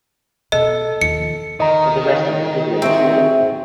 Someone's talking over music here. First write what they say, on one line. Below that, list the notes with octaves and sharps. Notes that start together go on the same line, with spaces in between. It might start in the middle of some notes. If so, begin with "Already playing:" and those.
The rest of the video is good.
B2 A4 D#5
D#2 F3 C#7
D#3 D#5 A#5
C4 F#4 G#4 E5